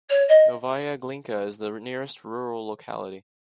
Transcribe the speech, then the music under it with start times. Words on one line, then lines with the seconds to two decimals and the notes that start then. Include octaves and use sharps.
Novaya Glinka is the nearest rural locality.
0.09 C#5
0.28 D#5